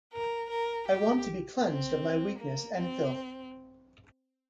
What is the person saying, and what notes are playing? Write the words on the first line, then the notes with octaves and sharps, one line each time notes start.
I want to be cleansed of my weakness and filth.
A#4
A#4
G4
C4
A#3
C4